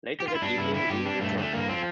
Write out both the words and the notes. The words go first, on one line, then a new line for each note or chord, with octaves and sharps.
Later that evening, Jean returns.
G4
F4
E4
G3 D4
G2 E4
D3 E4
G2 G4
G3 D4
G2 A3
D3 A3
G2 A#3
F3 C4